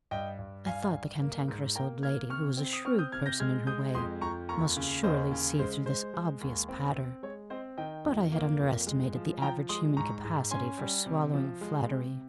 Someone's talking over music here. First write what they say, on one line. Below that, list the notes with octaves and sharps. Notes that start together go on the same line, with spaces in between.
I thought the Cantankerous Old Lady, who was a shrewd person in her way, must surely see through this obvious patter; but I had under-estimated the average human capacity for swallowing flattery.
G2 D#5 G5
G2
G2 F5 G#5
G2
A#3
G#2
A#3 G5 A#5
A#3 F6 G#6
C3 C#6 F6
C4
D#6
C4 C#6 F6
D#6 G6
C3 F6 G#6
G6 A#6
G#3 F6 G#6
G#3 D#6 G6
F2 C6 D#6
F2 A#5 C#6
D#2 A#5 C#6
C#3
D#2 C5 D#5
C#3
G#3 C5
G#3 C5
G#3
D#2
C4
C4
G#3 C#5
C4 C5 D#5
D#3 D#5 G5
F2
A#3
F2
G#3
F3
F3 G5 A#5
G#3 C6 D#6
G#2 A#5 C#6
G#2
C#4 G#5 C6
G3
C3
F3
G#3
C3